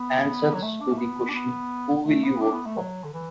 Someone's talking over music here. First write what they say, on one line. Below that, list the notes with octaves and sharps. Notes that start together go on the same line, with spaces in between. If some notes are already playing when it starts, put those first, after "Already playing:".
Answers to the question, Who will you vote for?
Already playing: B3
F#3
A3
D4
A3
B3
D4
B3
A3
B3
D4
B3
A3
F#3
D3
E3